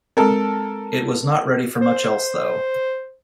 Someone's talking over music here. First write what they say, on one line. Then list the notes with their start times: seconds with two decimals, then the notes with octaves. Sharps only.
It was not ready for much else, though.
0.17 G#3 C4 A4 A#4
1.82 C5